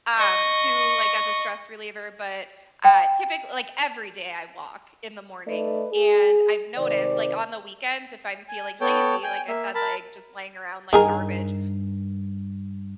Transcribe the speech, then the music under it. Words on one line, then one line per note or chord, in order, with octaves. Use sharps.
um, too, like, as a stress reliever, but, uh, typically, like, every day I walk in the mornings and I've noticed, like, on the weekends, if I'm feeling lazy, like, I said, like, just laying around like garbage.
D#5 C#6
G5
A3 D#4 B4 D5 D#5
G#4
C3 D#3 G#3 C5 D5
G#5
B3 A4 C#5 G5
G5 G#5
A#3 E5
A#4 A5 B5
G2 D#3 G#4 A#4